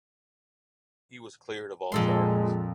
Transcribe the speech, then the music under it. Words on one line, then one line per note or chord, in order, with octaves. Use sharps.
He was cleared of all charges.
F2 A#2 G#3 A4 C6